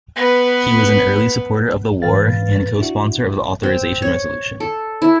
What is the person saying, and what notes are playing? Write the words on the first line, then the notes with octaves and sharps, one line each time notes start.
He was an early supporter of the war, and cosponsor of the authorization resolution.
B3 B4
G#2 E3 B4 F5 A6
D4 E4 F#4
C4
C#5
A4
E4